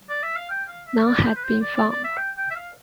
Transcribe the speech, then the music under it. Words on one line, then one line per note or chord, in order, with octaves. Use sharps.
None had been found.
D5
E5
F5
G5
F5
E5
D5
C5
B4
C5
D5
D5
D5
E5
G5
G5
E5
F5